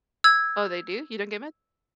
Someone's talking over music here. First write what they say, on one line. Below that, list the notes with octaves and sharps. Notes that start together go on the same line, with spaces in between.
Oh, they do? You don't get mad?
E6 G#6